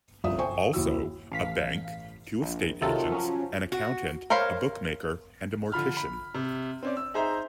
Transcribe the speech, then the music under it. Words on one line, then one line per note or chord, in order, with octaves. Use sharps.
Also, a bank, two estate agents, an accountant, a bookmaker and a mortician.
G1 C2 F3 E5 D#6
C5 G5 G#5 C#6
D#2 E4 F#4 E6
A1 F5 B6
A#1
C3 D#3 F#3 F4 A4
F3 F#3 C#4
F#4
A#4 C5 C#5 F5 B5
D3 F3 B5 F6
B5
C3
C4 C#4 D5
E6
D#4 G#4 C5 E5 A#5